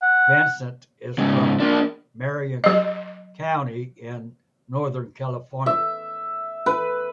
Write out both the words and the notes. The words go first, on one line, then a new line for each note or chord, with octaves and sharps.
Vincent is from Marin County in Northern California.
F#5
G#2 C#3
A#3 D4
F#3 D#5
E5
B4